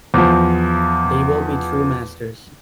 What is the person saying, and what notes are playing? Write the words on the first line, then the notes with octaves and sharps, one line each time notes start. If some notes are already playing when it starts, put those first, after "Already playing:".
They will be true masters.
E2 F3